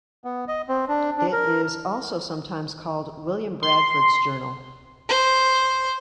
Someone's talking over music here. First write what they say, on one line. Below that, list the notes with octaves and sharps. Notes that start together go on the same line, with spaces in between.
It is also sometimes called "William Bradford's Journal".
B3
D#5
C4
D4
D4
A#4
C6
C5